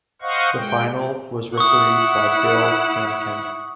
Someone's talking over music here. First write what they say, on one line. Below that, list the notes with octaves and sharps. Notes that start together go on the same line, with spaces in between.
The final was refereed by Bill Camkin.
C5 D#5 F5 F#5 C#6
G#3 G5
E4 F#5 C#6 D#6